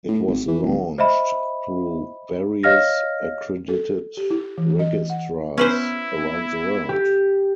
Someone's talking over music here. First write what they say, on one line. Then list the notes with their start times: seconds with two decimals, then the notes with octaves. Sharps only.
It was launched through various accredited registrars around the world.
0.08 A2
0.27 G#1
0.48 E3
0.63 D1
0.98 C5 D#5 E5 B5
2.63 C#5 D#5 F5 F6 A#6
3.69 A4
4.17 G4
4.30 E4
4.58 E3
4.79 D#5
5.10 F#5
5.58 B3 C#4 E4 B4 C5
6.89 G4